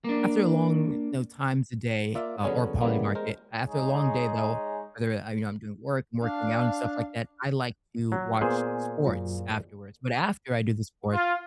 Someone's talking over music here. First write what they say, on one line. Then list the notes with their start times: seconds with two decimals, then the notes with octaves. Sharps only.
after a long, you know, times a day, uh, or Polymarket, after a long day though, whether, uh, you know, I'm doing work, I'm working out and stuff like that, I like to watch sports afterwards. But after I do the sports,
0.04 A#3 D4
2.15 A#3 F4 D5 E5
2.43 D3 F#3 B3 C#4 G#4 C#5
2.80 C#3 E3 G3 A#3 B3
3.15 G#3 A#4 C5
3.66 G#3 D#4 G#4 C#5
6.22 D4 F5
8.12 F#3
8.41 A#2 B3 G#4 C5 G#5
9.04 F#2 F#3 F4
11.13 F4